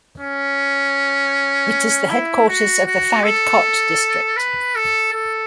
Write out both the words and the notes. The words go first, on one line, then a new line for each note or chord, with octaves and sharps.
It is the headquarters of the Faridkot district.
C#4
E4
F#4
F#4
A4
B4
A4
A4